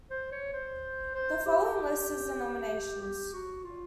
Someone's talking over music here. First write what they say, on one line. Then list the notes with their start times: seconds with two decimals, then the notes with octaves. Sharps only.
The following list is the nominations.
0.10 C5
0.32 C#5
0.53 C5
1.15 C5
1.46 G4
3.02 G4
3.33 F#4
3.63 F4